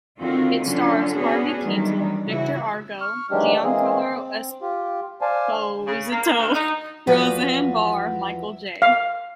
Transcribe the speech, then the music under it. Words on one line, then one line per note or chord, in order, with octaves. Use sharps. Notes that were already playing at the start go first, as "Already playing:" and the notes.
It stars Harvey Keitel, Victor Argo, Giancarlo Esposito, Roseanne Barr, Michael J.
D3 D#3 C4 F4 F#4
D3 F#3 C#4 D4 F4
B3 C#4 D4 F#4 G#4
D#3 E3 F#3 G3 D4
C#3 E3 E4 F#4
C#6 F6
D#3 E3 F#3 G#3 D4 G4
E3 G#3 A#3 C4 G#4
C4
F4 G4
C5 D5 F5 G#5 A5
C#3
A#3
D2
D#4
E2 F3 F#4 B4
F5